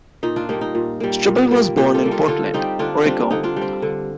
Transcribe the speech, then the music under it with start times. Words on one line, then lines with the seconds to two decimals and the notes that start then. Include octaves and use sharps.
Struble was born in Portland, Oregon.
0.23 A#2 D#4
0.36 D4 F4
0.49 G3 A#3 D#4
0.61 D#4
0.75 A#2
1.00 G3 A#3
1.26 A#2
1.51 G3 A#3
1.77 A#2 D#4 G4
1.94 F4 A4
2.03 G3 A#3
2.11 F4 A4
2.28 D3 F4 A4
2.54 G3 C4 D#4 G4
2.79 D3 D4 F4
3.05 G3 C4 D4 F4
3.31 D3 D#4
3.43 D4 F4
3.56 G3
3.62 C4
3.82 D3